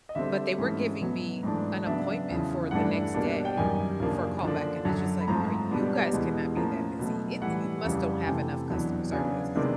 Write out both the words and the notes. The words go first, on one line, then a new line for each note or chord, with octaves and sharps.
but, they were giving me an appointment for the next day for a callback and that's just, like, "Are you guys cannot be that busy. It you must don't have enough customer service."
D#5
D3 G3 C4 E5
G#2 E3 A3 C#4
B2 F#3 B3
G#2 E3 A3 D4
C#3 F#3 B3 D4 E5
E2 C#3 F3
G2 E3 A3 D4 F#5
B2 G3 A#3 D4
G5
F#2 D#3 G3 G#5
F#2 C#3 F3 A#3 D4
D3 F3 A#3 D4
F#2 D3 F#3 A5
B5
G#2 F3 A3 C4 A#5
B2 G3 B3 D4
E2 B2 G#3
A2 F3 A#3 C#4 A#5
B2 F#3 A3
A2 E3 G3 F#5
F2 C#3 E3 G3
G#5
C3 E3 A3 G5
E2 B2 F#3 B3 D4
C#3 F#3 B3 D4 G#5
C3 D#3 G#3 B3 D4